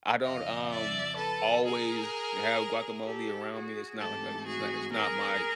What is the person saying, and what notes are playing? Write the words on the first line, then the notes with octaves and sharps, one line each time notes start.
I don't, um, always have guacamole around me, it's not, like, a it's not it's not my
F2 C#3 F3 D#5 F5
D5 E5
A4 B4
G#4 A#4
G4 A4
F#4 G#4
G#2 E3 A3 C4 G4 A4
F#4 G#4
G#4 A#4